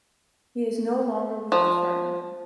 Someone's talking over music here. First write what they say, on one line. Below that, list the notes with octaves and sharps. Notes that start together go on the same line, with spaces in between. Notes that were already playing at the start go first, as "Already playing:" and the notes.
He is no longer with the firm.
F3